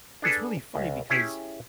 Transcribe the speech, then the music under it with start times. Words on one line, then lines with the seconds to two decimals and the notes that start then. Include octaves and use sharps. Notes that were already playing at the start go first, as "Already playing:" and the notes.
It's really funny because
0.22 D4 G#4 A4 B4
0.75 C#2
1.10 C#4 E4 G4 G#4